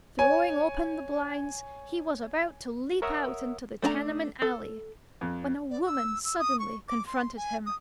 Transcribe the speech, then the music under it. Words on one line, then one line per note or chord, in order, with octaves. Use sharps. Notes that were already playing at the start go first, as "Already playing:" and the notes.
Throwing open the blinds, he was about to leap out into the tenement alley when a woman suddenly confronted him.
C#5 G#5
A#4 C#5 E5 F#5 D#6 E6
A3 D4 C5 A#5
A4
F2
D5
E6
E6
D#6
C#6
D6
C6
G#5
D#6